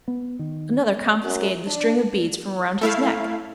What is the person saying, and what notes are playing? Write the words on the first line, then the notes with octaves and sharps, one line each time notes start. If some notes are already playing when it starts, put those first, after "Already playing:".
Another confiscated the strings of beads from around his neck.
B3
D#3
F#2
D4
A3 E4 F5